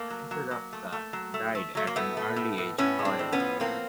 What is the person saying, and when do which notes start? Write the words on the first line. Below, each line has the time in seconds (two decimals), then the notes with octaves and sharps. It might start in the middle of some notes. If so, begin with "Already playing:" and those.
Neferuptah died at an early age, however.
Already playing: A3 A#3
0.10 F#3
0.31 F#3
0.51 F#3
0.73 A3
0.92 A3
1.13 F#3
1.34 A3
1.55 A3
1.75 F#3 A3
1.87 A#3
1.96 A2 A3 B3
2.17 A3
2.36 A2
2.58 A2
2.78 A2 B3 C#4
2.99 G#3
3.05 C4 D4
3.19 A2
3.32 B3 C#4
3.40 F3
3.60 A2 A#3 C4